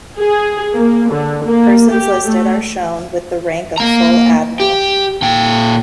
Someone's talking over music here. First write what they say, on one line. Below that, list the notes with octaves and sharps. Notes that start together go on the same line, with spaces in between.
Persons listed are shown with the rank of full admiral.
G#4
A#3
D3
A#3
G4
A3
A#3 A#5
G4
A#2 G5